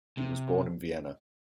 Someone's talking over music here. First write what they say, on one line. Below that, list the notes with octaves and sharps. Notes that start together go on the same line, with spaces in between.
He was born in Vienna.
C3